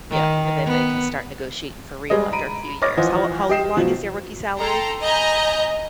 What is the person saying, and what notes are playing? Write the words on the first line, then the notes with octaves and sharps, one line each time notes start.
Yep, and then they can start negotiating for real after a few years. How how long is their rookie salary,
D#3
B3
G3 G#3 G#4 D#5
A#5 B5 D7 D#7
C#5 D#5 D6 F6 A6 A#6
E3 F3 C5 D#5 F#5
G4 D#5 C7 E7
B2 F3 F#3
A4 G5 A#5 C6
D#5 G#5 A#5 B5 G6